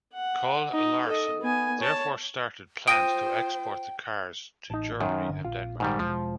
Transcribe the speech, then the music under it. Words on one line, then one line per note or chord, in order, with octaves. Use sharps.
Kohl-Larsen therefore started plans to export the cars to Germany and Denmark.
F#5
D#4
A4 D#5
B3 G#5
C#5 A5
F4 C5 G5 D#6 A#6 D7 D#7
A1 D#4 A5
F#2 D#3
G1 D3
A#1 F4
G#2 D#3 G3
E1 F3 G#3